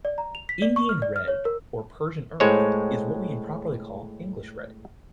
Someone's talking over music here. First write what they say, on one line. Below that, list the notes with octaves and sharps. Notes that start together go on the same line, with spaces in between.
Indian red, or Persian earth, is what we improperly call English red.
D5
A#5
F7
B6
D5
C#6
F6
D5
F6
C#5
A#4
A2 G#3 C5 C#5